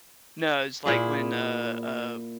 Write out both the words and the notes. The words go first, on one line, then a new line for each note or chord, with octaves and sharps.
No, it's, like, when, uh, uh
A#2 E4 G#4